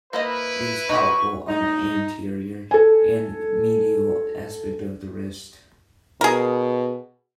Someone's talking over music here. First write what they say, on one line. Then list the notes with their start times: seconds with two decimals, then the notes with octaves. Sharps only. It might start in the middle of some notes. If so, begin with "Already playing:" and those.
It is palpable on the anterior and medial aspect of the wrist.
0.13 A#3 E4 B4 C5 D#5
0.89 D#4 G4 C#6
1.48 D#4
2.71 A4 G#5
6.21 B2 G#4 A#4